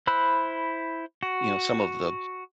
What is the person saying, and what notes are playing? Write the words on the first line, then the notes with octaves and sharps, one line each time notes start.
you know, some of the,
E4 C5 B5 E6 F#6
F#4